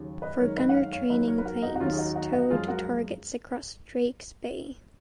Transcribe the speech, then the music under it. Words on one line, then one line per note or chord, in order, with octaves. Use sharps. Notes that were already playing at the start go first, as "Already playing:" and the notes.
For gunner training planes towed targets across Drakes Bay.
Already playing: D#2 C#3 F#3
B4 D#5
F#2 D#3 G#3 A#4 C#5
B4 D#5
F#5
C#5 F5
C#5 F5
D#2 D#3 F#3 B4 D#5
A#4 C#5
B4
F#4 A#4
D#4 F#4
F#4
D#2 D#3 F#3 C#4 F4
G#4
D#4 F#4
D#4 F#4
D#4 F#4
F#2 F3 G#3 F4 G#4
F#4 A#4